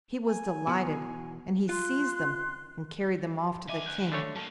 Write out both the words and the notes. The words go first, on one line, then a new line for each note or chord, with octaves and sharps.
He was delighted, and he seized them and carried them off to the King.
G#5
B2 E3 B3
F4 C6 F#6
D2 D#5 E5 G#5 D6
F#6 G6 D#7
D3 A3 C#5
G2 A#3 A5 D#7